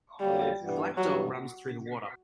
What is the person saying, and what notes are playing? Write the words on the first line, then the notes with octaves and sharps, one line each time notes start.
A black dog runs through the water.
F2 D3 F#3 G3 A#3
G2 E3 G3 B3
G2 E3 F#3 G3 B3